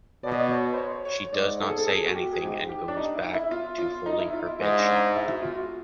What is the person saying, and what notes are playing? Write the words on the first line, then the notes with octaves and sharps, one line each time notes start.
She does not say anything and goes back to folding her bed sheet.
B2 D5
D#5
D5
C#5
C5
C#5
C#5
G#2 D5
A4
G#4
A4
G#4
F#4
G4
G#4
G#2 G4
G4
D4
D#4
E4
E4
F4
F4
D#4
E4
F4
E4
G#2 D#4
D4
D#4
E4
F#4
F4
F#4